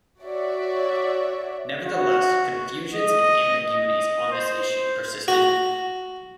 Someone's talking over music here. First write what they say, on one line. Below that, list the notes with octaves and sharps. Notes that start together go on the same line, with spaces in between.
Nevertheless, confusions and ambiguities on this issue persisted.
F#4 C#5 D5 E5
F#4
D#5
D#5
C5
F#4